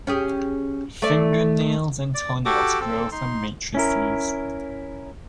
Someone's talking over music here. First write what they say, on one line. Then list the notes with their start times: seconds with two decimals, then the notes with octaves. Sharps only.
Finger nails and toenails grow from matrices.
0.07 C#4 G4 G#4
1.02 A3 D5
2.14 D5
2.46 F#4 G4 A4 D6
2.80 C4 A4
3.12 D#4 C6
3.75 C#4 E4 A#4